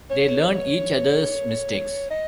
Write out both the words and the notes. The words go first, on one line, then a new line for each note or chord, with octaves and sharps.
They learn each other's mistakes.
C#5
C#5
D#5